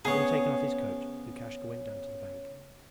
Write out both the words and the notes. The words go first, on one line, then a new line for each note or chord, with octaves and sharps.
Having taken off his coat, Lukashka went down to the bank.
C#3 A3 B3 C4 G#4 C#5